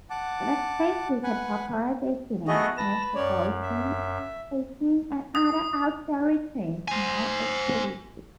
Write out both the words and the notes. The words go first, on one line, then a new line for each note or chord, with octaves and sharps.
The creek is a popular destination for boating, fishing and other outdoor recreational activities.
F#5 A5 D6
B4 F#5 G#5
A3 B3 F#4 G#4 D#5
B4 A5 A#6
F#2 C#5 D5
E5
D#6
C5 G#5